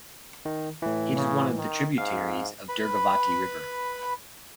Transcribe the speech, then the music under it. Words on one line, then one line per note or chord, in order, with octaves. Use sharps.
It is one of the tributaries of Durgavati River.
D#3
A2 E3
C#3
D#3
G#2 F5
B4 B5